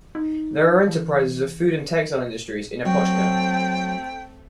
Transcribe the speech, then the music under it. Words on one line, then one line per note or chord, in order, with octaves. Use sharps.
There are enterprises of food and textile industries in Opochka.
D#4
E3
F#3 A3 C4 A4 G5